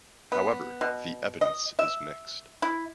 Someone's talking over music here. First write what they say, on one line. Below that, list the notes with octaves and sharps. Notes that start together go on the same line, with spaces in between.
However, the evidence is mixed.
B3
B2
D#5
E5
E4